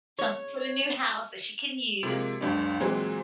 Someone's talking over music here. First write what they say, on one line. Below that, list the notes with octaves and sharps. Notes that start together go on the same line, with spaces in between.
Something for the new house that she can use.
C#5
C3 F3 G#3 A#3
F#1 C#2 D4
A#2 E3 F#3 G#3 C4